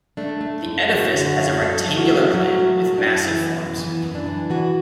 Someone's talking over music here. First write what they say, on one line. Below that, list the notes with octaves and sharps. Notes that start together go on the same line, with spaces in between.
The edifice has a rectangular plan, with massive forms.
A3 D4
A3
F#2
F#2 F#4
D3
F#4
F#2
A3 A4
F#3 A4
F#4
A3
F#3 F#4
A3
F#3
D4
F#2 E4
E3
B3
F#2
E3 B3
F#2
D4
E3
E3 F#4